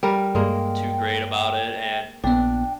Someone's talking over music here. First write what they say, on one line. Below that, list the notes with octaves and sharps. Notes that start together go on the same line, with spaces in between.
too great about it, and
G3 A#4 G5
G2 G#3 A#3
A#1 A#2 B3 D4 G5